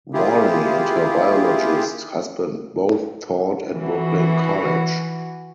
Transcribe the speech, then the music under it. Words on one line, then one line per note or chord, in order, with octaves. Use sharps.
Worley and her biologist husband both taught at Brooklyn College.
A#3 E4 F4 G4 G#4
E3 F#4